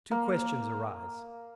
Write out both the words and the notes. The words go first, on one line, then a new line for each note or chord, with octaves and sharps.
Two questions arise.
A#3